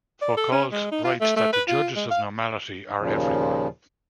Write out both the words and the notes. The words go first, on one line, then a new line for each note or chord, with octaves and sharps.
Foucault writes that 'the judges of normality are everywhere'.
D5
A4
C#4
G#3
D#4
F4
A3
A3
B4
F4
G#3
F5
D#2 A#2 C#3 F3